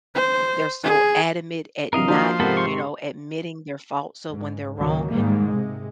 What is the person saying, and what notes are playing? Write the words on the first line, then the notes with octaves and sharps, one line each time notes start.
they're so adamant at not, you know, admitting their faults, so when they're wrong,
C5
G#4
C3 E3 F#3 A#4 D#5 F5
F3 A#3 D4 F#4 C5
G#2 C3 B3 F#4 A4 A#4
C6 C#6
G#2
C#2 D#3 F#3 A#3
G#2 D#3 G3 A#3
C3 G#3